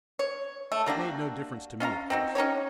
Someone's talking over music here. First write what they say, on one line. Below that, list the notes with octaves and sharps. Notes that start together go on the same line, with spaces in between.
It made no difference to me, of course.
C#5
A3
G3 A#3 D4 F#4
C#4 F4 F5 A#5
C4 D#4 F#4
C#4 D#4 G4 C#5